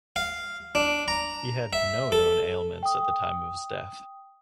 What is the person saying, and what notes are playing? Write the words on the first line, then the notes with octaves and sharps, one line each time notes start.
He had no known ailments at the time of his death.
F5
D4
A#5
E5
A4
G5 D#6